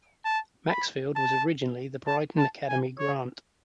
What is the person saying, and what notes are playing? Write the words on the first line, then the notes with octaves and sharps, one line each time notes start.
Maxfield was originally the Brighton Academy grant.
A5
B5
A5
A5
A5
G#5
C#5